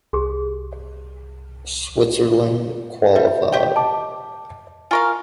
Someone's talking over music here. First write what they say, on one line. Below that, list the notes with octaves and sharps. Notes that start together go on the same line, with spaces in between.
Switzerland qualified.
C2 G4 G#4
G3 E5
G4 G5
D#5 A5 D6
F4 A#4 F5 G#5 C#6